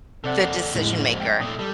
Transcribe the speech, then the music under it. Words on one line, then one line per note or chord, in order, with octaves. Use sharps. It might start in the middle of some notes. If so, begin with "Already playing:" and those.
the decision maker,
C3 A4 D5 F#5
F2 A#3
A2 G#3
G5
A#2 A3 D#6
G3 A4